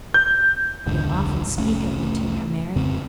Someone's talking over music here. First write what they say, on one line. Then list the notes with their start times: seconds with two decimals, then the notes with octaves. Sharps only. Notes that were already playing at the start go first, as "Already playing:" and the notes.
You'll often speak of me to her, Mary?
0.14 G6
0.86 E1 C#2 G#2 D3
1.58 F1 C2 A3 C#4
2.76 F2 C#3 C4